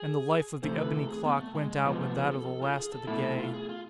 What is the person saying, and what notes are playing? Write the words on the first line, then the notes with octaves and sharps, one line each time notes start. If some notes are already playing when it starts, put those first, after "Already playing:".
And the life of the ebony clock went out with that of the last of the gay.
Already playing: G#4
C3 E3 A3 C5
B4
A4
G#4
B3
A3
G#3
G#3
C3 F3 G#3 B3
A3
G#4
A4
A4
F4
G#4
A4
B2 A3 E4 A4
A4
F4
G#4
F4